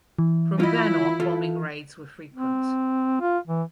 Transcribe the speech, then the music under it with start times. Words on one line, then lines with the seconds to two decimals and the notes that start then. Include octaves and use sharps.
From then on bombing raids were frequent.
0.19 E3
0.60 E4 F4 D#5
1.20 F4 A4
2.34 C4
3.21 F4
3.47 E3